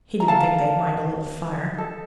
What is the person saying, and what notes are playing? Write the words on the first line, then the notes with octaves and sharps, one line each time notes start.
He didn't think they'd mind a little fire.
A#5
F4 A4 F5 A5
D#4 A4